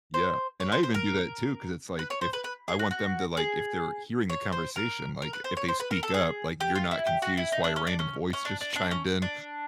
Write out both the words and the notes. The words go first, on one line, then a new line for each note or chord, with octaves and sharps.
Yeah, and I even do that too 'cause it's like, if I want them to, like if they're hearing the conversation, like, if they speak up, like, you're not confused why a random voice just chimed in
C5
C#5
C5
C5
A#4
B4
C#5
C5
B4
B4
G#4
F#4
F#4
G#4
C#5
C5
A#4
A#4
B4
C5
C#5
C5
B4
A#4
A4
G#4
G4
F4
E4
G4
F#4
E4
D#4
D4
C#4
D4
C#4
C#4
D4
D4
D4
C#4
D4